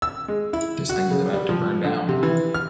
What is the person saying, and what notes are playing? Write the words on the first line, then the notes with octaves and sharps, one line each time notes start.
This thing is about to burn down.
E6
G#3
E4
F#4
C#3
G3
F3
D3
C3
E3
F6